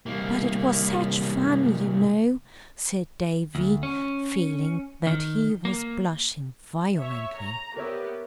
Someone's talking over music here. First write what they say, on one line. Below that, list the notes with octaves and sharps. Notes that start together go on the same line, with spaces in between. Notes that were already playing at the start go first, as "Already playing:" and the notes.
"But it was such fun, you know," said Davy, feeling that he was blushing violently.
C2 A#3
D2
C#4
D#3
A#3
C#5 E5
A#5
B3 G4 A#4 C#5 E5